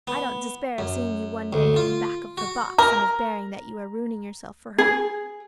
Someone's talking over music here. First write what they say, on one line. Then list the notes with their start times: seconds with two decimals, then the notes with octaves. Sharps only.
I don't despair of seeing you one day at the back of her box, and of bearing that you are ruining yourself for her.
0.07 B3
0.78 F#2
1.53 D2
1.76 F4
2.37 F#4
2.78 A#4 A#5
4.78 G#4